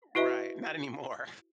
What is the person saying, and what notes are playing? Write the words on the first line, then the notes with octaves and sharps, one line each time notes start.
Right. Not anymore.
E4 F#4 B4 D#5 E5